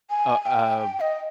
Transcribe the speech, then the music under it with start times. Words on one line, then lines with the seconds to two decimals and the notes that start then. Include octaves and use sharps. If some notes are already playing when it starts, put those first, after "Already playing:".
Oh, uh,
0.10 G#5
0.41 G#5
0.46 G5
1.01 D#5